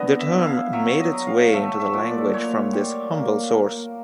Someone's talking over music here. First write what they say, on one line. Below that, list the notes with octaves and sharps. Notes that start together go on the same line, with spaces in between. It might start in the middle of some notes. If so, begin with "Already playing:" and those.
The term made its way into the language from this humble source.
Already playing: D3 B3 D#5
E5
E4
F5
F#3 E5
D#5
F#3
F5
A3 E5
E5
A#2
D5
A#2 C#5
G3
A#3
A#3